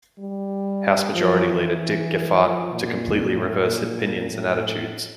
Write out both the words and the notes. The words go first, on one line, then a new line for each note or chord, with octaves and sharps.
House Majority Leader Dick Gephardt to completely reverse opinions and attitudes.
G3
F3
E3
F3
A#2
A2
A#2
A2